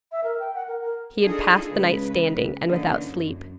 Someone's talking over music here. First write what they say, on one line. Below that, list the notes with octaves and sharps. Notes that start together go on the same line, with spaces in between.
He had passed the night standing, and without sleep.
E5
A#4
G5
F#5
A#4
A#4
D4 D#4 F4 G#4 A4
C#3 G#3 B4
D3 E3 A#3 C#4 D#4
F#2